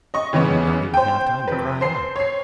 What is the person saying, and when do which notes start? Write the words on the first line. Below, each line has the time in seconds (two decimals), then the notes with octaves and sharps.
He did not even have time to cry out.
0.14 D#5 C#6
0.33 C#3 E3 G#3 B3
0.94 C5 G5
1.48 F1 B4
1.81 C5 C7
2.16 C#5 C7